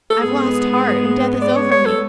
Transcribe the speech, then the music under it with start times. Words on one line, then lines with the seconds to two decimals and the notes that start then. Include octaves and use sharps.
I've lost heart, and death is over me.
0.10 A4
0.21 G#2 G#3 B3 G#4
1.42 D5
1.56 C#5
1.71 C#5
1.86 A4